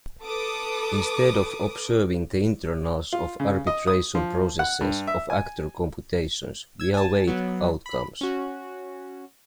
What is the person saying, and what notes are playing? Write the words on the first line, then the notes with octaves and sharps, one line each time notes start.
Instead of observing the internals of arbitration processes of Actor computations, we await outcomes.
A4 B4 D6 D#6
F4
C#3
D#5
D#6
F3
F#5
G2
E5
G#5
E6 G#6
G#5 A5
F#3 B3
B5
C#4 F#4